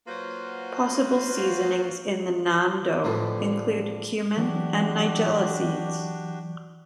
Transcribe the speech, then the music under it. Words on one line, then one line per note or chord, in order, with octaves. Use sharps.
Possible seasonings in the naan dough include cumin and nigella seeds.
F#3 A#3 F4 F#4 B4 C5
A2 D3 E3 F3
E3 F#3 D4 F#4 G4